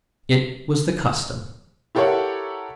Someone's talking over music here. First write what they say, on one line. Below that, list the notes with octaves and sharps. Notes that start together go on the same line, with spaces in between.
It was the custom.
E4 G4 A4 A#4 C#5 F#5